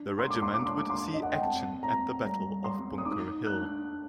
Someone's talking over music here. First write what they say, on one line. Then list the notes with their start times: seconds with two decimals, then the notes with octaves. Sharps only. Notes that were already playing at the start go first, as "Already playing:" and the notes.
The regiment would see action at the Battle of Bunker Hill.
Already playing: D4
0.19 C6
0.30 D6
0.42 C6
0.54 D6
0.60 D4
0.66 C6
0.78 D6
0.90 C6
1.14 D#5
1.23 F#5
1.33 G5
1.42 C4 A5
1.83 C4 A#5
2.24 G3 A#5
2.51 G3
2.64 C6
2.79 C4
2.98 D#6
3.05 D#4 D6
3.34 D#4
3.47 F#6
3.61 D4